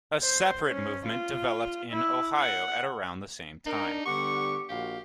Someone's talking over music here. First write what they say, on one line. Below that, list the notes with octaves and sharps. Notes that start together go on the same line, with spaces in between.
A separate movement developed in Ohio at around the same time.
C5
C#4
F4
E4
F#5
D4 D#4 A#4
D3 G3 B3 G4 F#5 C#6
A#1 F#4 G4 F5